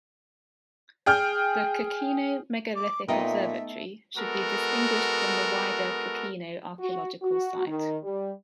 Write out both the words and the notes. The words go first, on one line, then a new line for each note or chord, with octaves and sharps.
The Kokino "megalithic observatory" should be distinguished from the wider Kokino archaeological site.
G#4 G5 F6 G6
D6
A#2 A3 B3 D#4 D#5 E5 G5 C6
G#3 B3 F#4 A4 A#4
F#4
F#4
D#3
G3